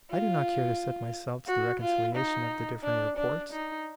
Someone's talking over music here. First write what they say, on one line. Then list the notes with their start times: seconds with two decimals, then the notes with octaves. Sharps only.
I do not care to set myself to the reconciliation of the differing reports.
0.11 F4
1.47 F#4
1.81 F4
2.16 D#4
2.84 D4
3.17 D4
3.52 D#4